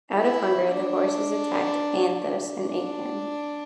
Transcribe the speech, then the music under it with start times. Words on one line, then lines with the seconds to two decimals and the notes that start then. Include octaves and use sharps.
Out of hunger, the horses attacked Anthus and ate him.
0.14 E4
0.73 D4
2.49 D4